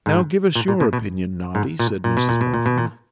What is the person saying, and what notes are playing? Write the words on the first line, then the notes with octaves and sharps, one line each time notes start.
'Now, give us your opinion, Noddy,' said Mrs Boffin.
G#2
A#2
A#2
B2
B2
G#2
A#2
A#2
B2
A#2
B2
A#2
B2
A#2